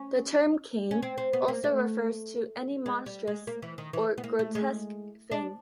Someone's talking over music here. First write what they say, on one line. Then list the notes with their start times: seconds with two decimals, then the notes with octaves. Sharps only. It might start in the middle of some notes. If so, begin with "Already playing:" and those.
The term came also refers to any monstrous or grotesque thing.
Already playing: C#4
0.91 C#4
1.02 C4
1.18 C4
1.33 B3
1.48 A#3
1.64 A3
2.86 G#3
3.06 G3
3.27 G#3
3.47 A#3
3.62 E3
3.78 D#3
3.93 E3
4.18 B3
4.24 A#3
4.39 A3
4.55 G#3
5.31 D4